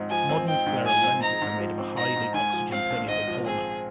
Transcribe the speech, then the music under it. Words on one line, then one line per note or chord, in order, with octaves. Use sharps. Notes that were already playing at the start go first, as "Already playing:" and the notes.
Modern scleral lenses are made of a highly oxygen permeable polymer.
Already playing: G#2 F3 C4 D#4
F3 G#5
C4
D#4 G5
G#2
F3 G#5
C4
D#4 A#5
G#2
F3
C4
D#4 A#5
G#2
G#2 G#5
F3
C4 F5
A#1
G#2 D#5
F3
C4 G#4